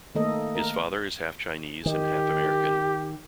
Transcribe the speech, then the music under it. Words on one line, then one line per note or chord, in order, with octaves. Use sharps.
His father is half Chinese and half African.
D#3 A3 A#3 A4 D#5
A#4
D#3 G4